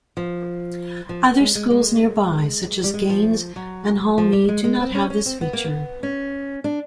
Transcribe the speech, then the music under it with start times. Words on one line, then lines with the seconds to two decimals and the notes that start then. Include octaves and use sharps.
Other schools nearby, such as Gaynes and Hall Mead do not have this feature.
0.17 F3
1.09 F3
1.40 G#3
1.55 G#3
1.70 G#3
2.84 G3
2.94 G#3
3.09 F3
3.56 F#3
4.18 F3
4.33 G3
4.49 G#3
4.64 G#3
4.80 C4
4.95 C#4
5.10 C#4
5.26 C4
5.41 B3
5.53 A#3
5.64 B3
6.03 C#4
6.64 D4